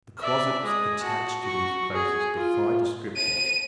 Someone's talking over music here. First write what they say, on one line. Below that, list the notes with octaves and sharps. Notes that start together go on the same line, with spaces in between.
The closets attached to these places defy description.
D5 E5
G#3 D#6
F#4 A5
F#4 C#6
G#4
F4
D#7